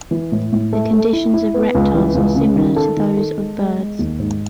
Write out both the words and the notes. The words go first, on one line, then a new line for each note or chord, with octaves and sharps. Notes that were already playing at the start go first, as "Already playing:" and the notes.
The conditions of reptiles are similar to those of birds.
E3
A2
A2
A3
A4
E4
E4
B3
C#2
E3
C#2
C#3
D#3
A4
D#3
A4
G#3
G#3
G#3
D#2
G#2